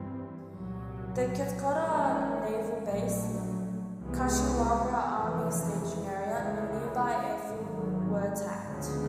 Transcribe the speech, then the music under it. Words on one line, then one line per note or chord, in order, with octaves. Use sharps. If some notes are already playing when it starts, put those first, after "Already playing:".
The Katkoa Naval Base; Kashiwabra Army Staging Area and a nearby airfield were attacked.
Already playing: G2 E3 G3 C4
C2 A#2 F#3
G#1 G#2 F3 A#3 C#4
A#1 A#2 F#3 A3
C2 C3 E3 G#3 B3
F1 F2 C#3 E3
C#2 C#3 E3 G#3
G#1 G#2 D#3 F#3
D2 C#3 F3 G#3 B3